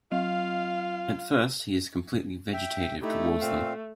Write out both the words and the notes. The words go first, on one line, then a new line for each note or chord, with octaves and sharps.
At first, he is completely vegetative towards them.
F#3 F4 F5
E5 G5
A3 D#4 E4 G4
A#2 C4 F5